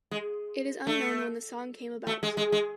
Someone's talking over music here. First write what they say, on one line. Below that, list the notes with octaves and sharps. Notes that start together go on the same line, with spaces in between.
It is unknown when the song came about.
G#3
A3
A3
G#3
G#3
G#3